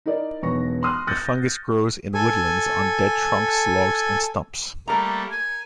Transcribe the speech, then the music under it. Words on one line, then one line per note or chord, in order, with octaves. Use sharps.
The fungus grows in woodlands on dead trunks, logs, and stumps.
D#4 E4 A#4 D5 D#5
E1 B1 B3 C#6 A#6
C6 D#6 F6 F#6
D#6 F#6 G6 A6 A#6 C#7
A4 G#5
G3 A3 A#3 A#4 A#5
G#5 G#6